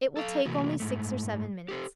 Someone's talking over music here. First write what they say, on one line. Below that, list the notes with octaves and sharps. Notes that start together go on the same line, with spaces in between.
It will take only six or seven minutes.
A4 F5
C3 E3 A3 A#3 F#4
G#2 A3
G4 A4 C5